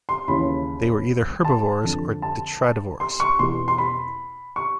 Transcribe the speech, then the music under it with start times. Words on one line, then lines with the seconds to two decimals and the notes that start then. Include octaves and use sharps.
They were either herbivores or detritivores.
0.09 C6
0.28 D#2 C#3 E3 B5
1.45 A5
1.84 F2 D3
2.22 A5
3.00 C6
3.20 C#6
3.39 E2 B2 C6
3.68 C6
3.78 B5
4.56 C#6